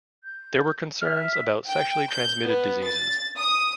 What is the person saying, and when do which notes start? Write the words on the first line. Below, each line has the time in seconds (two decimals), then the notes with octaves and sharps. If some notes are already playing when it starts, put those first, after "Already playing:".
There were concerns about sexually transmitted diseases.
0.23 G6
1.01 E5 F6
1.68 G5
2.10 G6
2.43 B3
2.84 A6
3.39 D#6